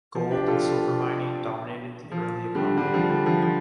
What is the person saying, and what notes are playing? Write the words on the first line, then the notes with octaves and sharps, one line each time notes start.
Gold and silver mining dominated the early economy.
F3
D4 G4
F4 A4
F3
D3 G3
D3 G3
F3
D3
F3
F3